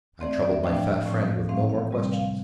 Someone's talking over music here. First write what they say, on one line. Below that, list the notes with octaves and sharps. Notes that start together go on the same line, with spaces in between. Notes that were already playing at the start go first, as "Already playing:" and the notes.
I troubled my fat friend with no more questions.
E3 A3 C4 D5
D5
D5
E5
A2 F3 A3 D4 G5
A2 F3 A3 C4
A2 E3 A3 C4 F5
F5
C3 G3 C4
F5